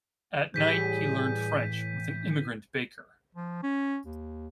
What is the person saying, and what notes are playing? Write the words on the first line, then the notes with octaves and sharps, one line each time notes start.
At night he learned French with an immigrant baker.
A2 E3 G3 G4 G#4 G6 B6 D#7
F3
C#4
D#2